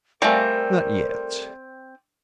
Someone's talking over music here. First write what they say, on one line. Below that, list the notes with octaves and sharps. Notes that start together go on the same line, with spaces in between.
"Not yet."
G3 A3 C4 A#4 D5 F5 G#5